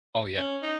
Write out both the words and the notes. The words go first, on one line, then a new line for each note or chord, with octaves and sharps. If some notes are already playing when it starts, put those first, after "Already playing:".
Oh yeah.
C#4
D#4